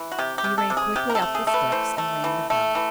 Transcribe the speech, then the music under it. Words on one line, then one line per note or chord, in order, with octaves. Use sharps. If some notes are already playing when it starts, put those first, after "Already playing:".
He ran quickly up the steps and rang the bell.
Already playing: E3
F#4
C3 G4
G4
C3
A4
C3
G#4
C3 G4
A#4
A4
A3
G#4
A3
B4
E3 C5
A3
E3
A3
E3